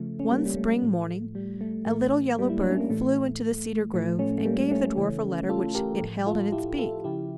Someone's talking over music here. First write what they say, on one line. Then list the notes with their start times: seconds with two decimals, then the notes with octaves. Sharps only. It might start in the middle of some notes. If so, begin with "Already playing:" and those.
One spring morning a little yellow bird flew into the cedar grove, and gave the dwarf a letter which it held in its beak.
Already playing: C#3 F3 A3
0.20 C#4
0.31 G3 A#3
0.45 G3
0.57 A3
0.82 A2 F3
1.35 G3
1.61 A3
1.86 A2 E3 A3
2.38 G3 A#3
2.50 E4
2.60 D4
2.71 C#4
2.80 A#3
2.90 A2 E3 A3
3.94 A2 F3 A3
4.19 A3 C#4
4.38 A3
4.45 G3 A#3
4.71 A3 C#4
4.97 C#3 E3
5.49 F4 A4
5.75 G4 A#4
6.01 A2 F3
6.27 F4 A4
6.52 E4 G4
6.78 F4 A4
7.04 C#3 F3 E4 G4